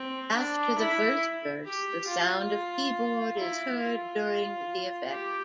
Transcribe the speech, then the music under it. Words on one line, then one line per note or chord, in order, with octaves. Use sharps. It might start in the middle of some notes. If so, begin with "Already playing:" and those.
After the first verse, the sound of keyboard is heard during the effect.
Already playing: C4
D4
E4
G4
F4
E4
F4
G4